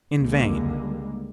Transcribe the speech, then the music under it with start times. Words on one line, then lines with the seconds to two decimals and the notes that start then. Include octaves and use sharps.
In vain.
0.17 C#2 D3 G3 G#3 A#3